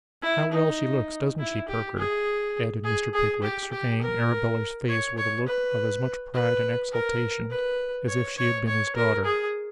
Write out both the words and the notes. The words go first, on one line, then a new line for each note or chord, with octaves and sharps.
How well she looks, doesn't she, Perker?' added Mr. Pickwick, surveying Arabella's face with a look of as much pride and exultation, as if she had been his daughter.
E4
D#4
E4
G4
G#4
G#4
G#4
G4
G4
A#4
C#5
C#5
B4
B4
A#4
B4
C#5
C#5
C#5
A#4
G#4